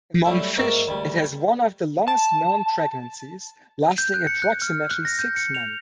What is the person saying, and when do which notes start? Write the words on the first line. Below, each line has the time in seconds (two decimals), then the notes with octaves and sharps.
Among fish it has one of the longest known pregnancies, lasting approximately six months.
0.25 F#3 G3 A3 E4
0.57 G#2 A#3 F#4 D5 E5 F#5
0.87 D2 G3
2.08 A5
3.98 G6
4.14 F#6
4.27 C#7
4.42 F#6
4.62 F6
4.91 F#6
5.05 A#6
5.19 G6
5.36 C#7
5.55 F7